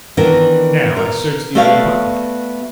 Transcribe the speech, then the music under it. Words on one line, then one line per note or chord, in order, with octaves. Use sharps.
Now I search the other pocket....
D#3 E3 B3 D4 A#4
A#4
A3 B3 F#4 D5 F5